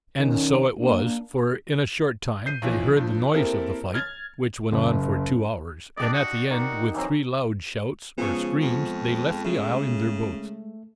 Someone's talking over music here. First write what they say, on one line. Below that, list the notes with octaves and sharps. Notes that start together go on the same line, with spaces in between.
And so it was, for in a short time they heard the noise of the fight, which went on for two hours, and at the end, with three loud shouts or screams, they left the isle in their boats.
D#3 C#4
A#3 D4
G6 C7 D#7
B1 E3 F3
G2 F3
A#3 C4 E4 G4 A4 A#4
F6 G#6 A6
F#1
D4 G4 D5 D#5
F#4
D#3 F#4
E3 F#3 C4
C#3 F3 G#3 B3 F4 G#4 C#6
F2
C#3 A3